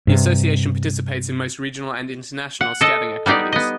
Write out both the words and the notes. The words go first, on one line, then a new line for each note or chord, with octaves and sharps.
The Association participates in most regional and international Scouting activities.
G2 C3
F#5
A4 D#5 A5
G3 B3 D#4 G4 D5
B3 D#5